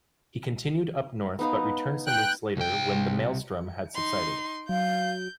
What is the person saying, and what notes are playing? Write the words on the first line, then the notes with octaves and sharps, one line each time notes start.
He continued up north but returned some weeks later when the maelstrom had subsided.
B3 D#4 F5
G5 F#6
C2 G5
D#4 C6
F#3 F5 G6